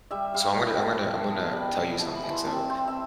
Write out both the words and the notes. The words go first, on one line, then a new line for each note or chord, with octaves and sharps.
so I'm gonna I'm gonna I'm gonna tell you something, so,
G3 E5
G3 F5
E4 G5
E4 A5
B2
B3
G3 B5
B2
E4 A5
B5
E3
C6
C4 A5
C4 G5
E5